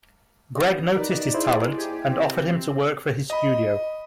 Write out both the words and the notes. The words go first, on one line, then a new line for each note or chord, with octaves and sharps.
Greg noticed his talent and offered him to work for his studio.
B3 C#4 D#4
B3 D#4 A#4 B4 D5
E4 G#4 C5
G#2 A#3 G4 G#5
C3 C4
D#5 B5